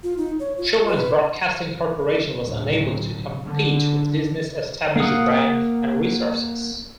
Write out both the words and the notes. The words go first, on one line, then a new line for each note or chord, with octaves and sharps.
Children's Broadcasting Corporation was unable to compete with Disney's established brand and resources.
F4
D#4
C#5
F4
B4
D2 A2 F#3
D3
A#3 F5 F#5 D#6